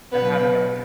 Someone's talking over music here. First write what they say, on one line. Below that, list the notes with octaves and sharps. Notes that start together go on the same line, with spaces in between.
them having a
B2 F#3 B3 B4